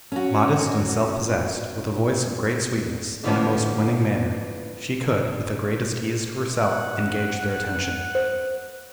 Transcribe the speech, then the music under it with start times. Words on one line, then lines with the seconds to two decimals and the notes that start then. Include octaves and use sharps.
Modest and self-possessed, with a voice of great sweetness, and a most winning manner, she could, with the greatest ease to herself, engage their attention.
0.12 C#4 F#4
3.24 D3 E3 F3 B3 C#4
6.61 F#5
8.15 C5